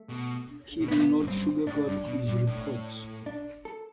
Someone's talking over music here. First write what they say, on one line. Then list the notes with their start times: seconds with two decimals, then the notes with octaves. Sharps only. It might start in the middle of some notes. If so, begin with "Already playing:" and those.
He did not sugar-coat his reports.
Already playing: A3
0.09 B2
0.81 B2
0.88 A2 B3
1.20 F#2
1.27 G2 C4
1.67 A2 D4
1.86 G2
2.06 B2
2.27 G2
2.47 A2
3.26 D4
3.65 A4